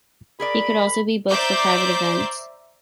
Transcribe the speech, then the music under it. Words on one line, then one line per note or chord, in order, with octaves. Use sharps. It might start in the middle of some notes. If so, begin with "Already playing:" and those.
He could also be booked for private events.
G#4 A#4 D5 B5
C5 D5 E5 A#5 D6 G6